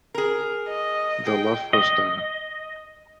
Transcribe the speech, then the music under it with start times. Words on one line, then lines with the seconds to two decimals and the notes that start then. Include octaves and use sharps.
The love was there.
0.14 G#4 A#4
0.69 D#5
1.26 G#4 G5
1.73 D#5